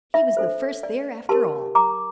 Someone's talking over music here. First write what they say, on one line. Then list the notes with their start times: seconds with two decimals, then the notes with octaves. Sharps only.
He was the first there after all.
0.14 E5
0.37 D4 A4 C5
0.83 D5
1.29 D4 G4 A#4 A5 C6
1.75 A#5 D6